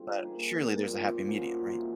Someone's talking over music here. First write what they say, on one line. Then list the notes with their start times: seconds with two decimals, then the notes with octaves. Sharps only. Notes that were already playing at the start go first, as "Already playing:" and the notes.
But surely there's a happy medium, right?
Already playing: D3 G3 C4 F4
0.23 A#3 D#4 G#4 B4
0.75 A#2 G3 C4 D#4
1.26 F3 A#3 C#4 F#4
1.79 E3 G#3 C4